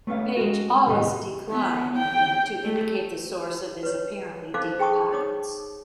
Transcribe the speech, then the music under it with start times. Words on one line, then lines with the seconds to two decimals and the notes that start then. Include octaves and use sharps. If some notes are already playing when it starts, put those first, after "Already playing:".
Page always declined to indicate the source of his apparently deep pockets.
0.07 A3 B3 C#4 F5
0.37 G#3 F#4
0.87 D#2 A2 C3 G3 B3 D#5
1.50 B3
1.97 G5
2.64 A3
3.83 B4 C#5
4.54 D#4 A4 C5 F5 D6
4.79 G#4 G5 A5 C#6 D#6
5.12 D#4 C#5 D6 D#6